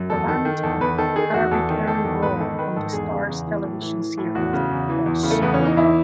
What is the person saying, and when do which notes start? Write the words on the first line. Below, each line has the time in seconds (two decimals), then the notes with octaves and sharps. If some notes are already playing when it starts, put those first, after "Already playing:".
Travanti had a recurring role on the Starz television series "Boss".
Already playing: F#2
0.10 E2 A4
0.28 D#3 A4
0.45 D#3
0.63 E2 A4
0.81 E2 B4
0.98 D#3 A4
1.16 D#3 G#4
1.34 E2 F#4
1.51 E2 A4
1.70 D#3
1.87 D#3 A4
2.05 E2
2.22 G#2 B4
2.40 D#3 A4
2.59 D#3 B4
2.76 G#2 A4
2.93 E2 G#4
3.12 C#3
3.29 E2
3.47 E3
3.64 A2
3.81 E3
4.00 E3
4.17 A2
4.35 E2 F#4
4.53 C#3
4.71 E2
4.89 E3
5.06 E2
5.23 C#3
5.31 A3
5.42 E2 B3
5.54 C#4
5.59 E3
5.65 D#4
5.77 E2 E4